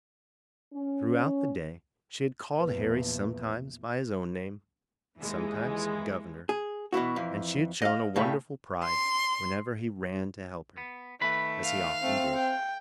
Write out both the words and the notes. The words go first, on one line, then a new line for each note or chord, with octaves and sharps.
Throughout the day she had called Harry sometimes by his own name and sometimes "governor," and she had shown a wonderful pride whenever he ran to help her, as he often did.
C#4
A#1 E2 B4
D#2 E3 G#3
G#4
B2 E3 E4 F#4
F2 E3
D#5 F5
A2 C#3 G3
C6
B3
D#3 A3 B4 B5
F5
A3 C4
G5